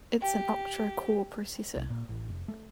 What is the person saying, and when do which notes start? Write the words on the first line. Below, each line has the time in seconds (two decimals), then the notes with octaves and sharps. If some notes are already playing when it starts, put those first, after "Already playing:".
It's an octa-core processor.
0.22 G4 G5
1.76 C2
1.90 A#2
2.09 A1
2.29 F1
2.48 A3